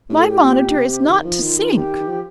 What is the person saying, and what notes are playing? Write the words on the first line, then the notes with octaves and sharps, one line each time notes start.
"My monitor is not to sink!"
A2 G4
A4
G4
A#2
C3
D#3
F3
D#3 F4
F4
G4
D#3
F3